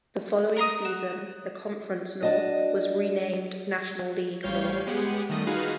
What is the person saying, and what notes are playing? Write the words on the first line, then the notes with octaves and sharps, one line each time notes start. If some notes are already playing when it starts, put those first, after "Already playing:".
The following season the Conference North was renamed National League North.
A#4 A#5 C6 D#6
F#4
D4 F#4 D#5
A1 G3 C#5 F5 G6
G#3 B3 G4 G#4 F#5
D#3 G3 A3 D#5 D#6
D#4 F4 F#4 G#4 B4 F5